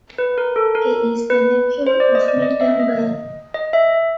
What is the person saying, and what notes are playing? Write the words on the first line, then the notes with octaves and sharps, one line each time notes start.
He is the nephew of Milton Berle.
B4
A#4
A4
A#4
B4
C5
D5
D#5
D5
D#5
E5
D#5
D#5
E5